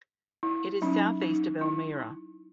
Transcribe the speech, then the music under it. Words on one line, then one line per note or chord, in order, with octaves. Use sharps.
It is southeast of Elmira.
E4
F#3 C#4 D#4
D#4
E4